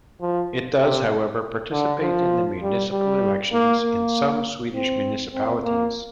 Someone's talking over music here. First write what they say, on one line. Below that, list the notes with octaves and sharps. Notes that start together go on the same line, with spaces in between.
It does, however, participate in the municipal elections in some Swedish municipalities.
F3
C3
D3
F3
G3
G3
A#3
A#3
C4
C4
A#3